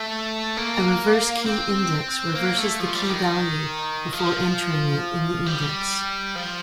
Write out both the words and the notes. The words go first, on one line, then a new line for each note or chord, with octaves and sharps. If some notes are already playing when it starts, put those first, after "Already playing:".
A reverse key index reverses the key value before entering it in the index.
Already playing: A3
A#3
C4
A#3
A3
F3
G3
D#3
F3
G3
F3